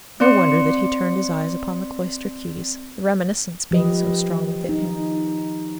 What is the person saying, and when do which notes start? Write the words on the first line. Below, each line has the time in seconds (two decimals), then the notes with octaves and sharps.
No wonder that he turned his eyes upon the cloister keys, the reminiscence being so strong within him.
0.20 C4 D5 C6 C#7
3.71 F3 G4 B4 D#5
4.69 D#4